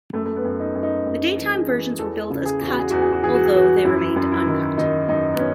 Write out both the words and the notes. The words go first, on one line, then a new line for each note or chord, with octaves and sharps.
The daytime versions were billed as 'cut', although, they remained uncut.
F#2 A3
A3
B3
F#2
D#4
F#2
D#4
F#2
E3
G#4
E3
E2 A4
C#3
G#4
E2
F#4
G#4
E2 F#4
G#4
F#4
E3 G#4
F#4
G#4
E3 F#4
F#2 E4
F#2
E4
D#3
D#3 D#4
F#2 D#4
B3
C#4